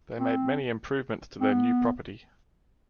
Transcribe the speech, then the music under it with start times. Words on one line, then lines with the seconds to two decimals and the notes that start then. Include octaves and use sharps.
They made many improvements to their new property.
0.19 C4
1.40 C4
1.51 B3